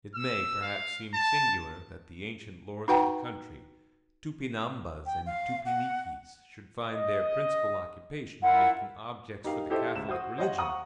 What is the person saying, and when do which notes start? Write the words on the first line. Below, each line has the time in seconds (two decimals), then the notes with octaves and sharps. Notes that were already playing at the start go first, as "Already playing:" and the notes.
It may, perhaps, seem singular that the ancient lords of the country, Tupinambas and Tupiniquis, should find their principal occupation in making objects for the Catholic religion.
0.15 E6
0.62 F5
1.14 A5
2.88 D#4 F#4 B4 F#5 G5 A#5
5.06 G5
5.26 F5
5.66 F#5
6.92 D#5
8.43 E4 F4 A#4 F#5
9.44 D#4 G4 A#4 F5
9.70 E4 G4 A4 C5 D#5 E5
9.95 C#2 E5 E7
10.09 F#4 C5 D#6
10.38 C5 C#5 D#5 F5 F#5
10.58 F5 F#5 A#5 C#6 D#6